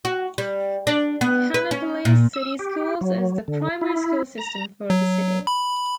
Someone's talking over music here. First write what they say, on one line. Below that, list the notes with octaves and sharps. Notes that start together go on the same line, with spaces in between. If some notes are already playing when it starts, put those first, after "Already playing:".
Kannapolis City Schools is the primary school system for the city.
F#4
G3
D4
B3
B4
C#4
A#2
E6
G4
F#3
D3
E4
A#5
F#3
B5